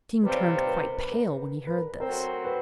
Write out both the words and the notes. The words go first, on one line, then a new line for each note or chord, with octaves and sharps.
The king turned quite pale when he heard this.
C3 D#3 G3 C4 F4 B4
C#5
B4
C5
B4
A#4
B4
A#4
B4
B4
A#4
F#3 A3 C4 A#4
B4